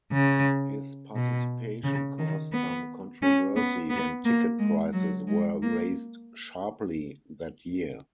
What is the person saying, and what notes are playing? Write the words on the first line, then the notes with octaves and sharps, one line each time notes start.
His participation caused some controversy when ticket prices were raised sharply that year.
C#3
B2
C#3
D#3
B3
C#4
B3
B3
A#3
G#3
F#3
G#3
A#3